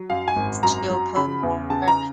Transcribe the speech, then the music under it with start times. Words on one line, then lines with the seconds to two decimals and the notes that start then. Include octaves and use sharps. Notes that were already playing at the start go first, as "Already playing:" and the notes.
she'll put more
Already playing: F#3
0.10 F#2 F5
0.28 G#5
0.36 G#1
0.63 F#2 A#5
0.90 F#3
1.16 C#3 B5
1.43 E2
1.70 C#3 A5
1.88 A#5